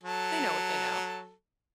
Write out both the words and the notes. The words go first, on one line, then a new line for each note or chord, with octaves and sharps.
they know what they know,
F#3 A4